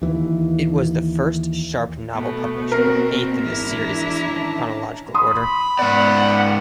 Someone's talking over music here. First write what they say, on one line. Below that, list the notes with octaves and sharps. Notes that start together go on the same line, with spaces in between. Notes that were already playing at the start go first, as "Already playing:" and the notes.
It was the first Sharpe novel published, but eighth in the series' chronological order.
D#2 E3
B2 A3 B3
C4 F#4 A#4
G#1 E2 D4 E4 A#5
D#3 C#4 A5
B5 C6 D#6
G#2 B3 D5 F#5